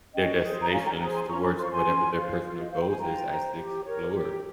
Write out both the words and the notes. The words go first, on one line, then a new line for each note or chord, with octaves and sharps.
their destinations, towards whatever their personal goals is as they explore.
C#4 D#5 G5
G#4 C5
A#5
C#4 F5 G#5
G5 A#5
G#4 C5 G5 A#5
G#5 C6
C#4 A#5 C#6
F4 C5 C6
C#6
G#5 C6
C#4
F4 C5
F4
D#5
C5 F5
G5
G#5
F4 G5 A#5
C5
G4
A#4 C#5
G4